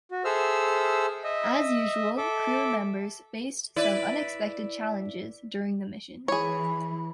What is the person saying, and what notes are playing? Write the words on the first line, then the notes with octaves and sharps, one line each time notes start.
As usual, crew members faced some unexpected challenges during the mission.
F#4
G#4 A4 C5 E5 E6 F6
D#5 E5
A4 E5 D6
E4 B4 D5
E3 G#4 C#5 B5